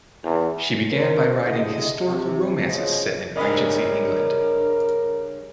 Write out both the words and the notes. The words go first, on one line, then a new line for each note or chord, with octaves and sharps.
She began by writing historical romances set in Regency England.
E2
C#3 A#4 C5
A2 D3 E4 G#4 D#5
C3
B2 F3 C#4 G#4 C#5 D#5
G2 C#3 A#4 D5 D#5 B5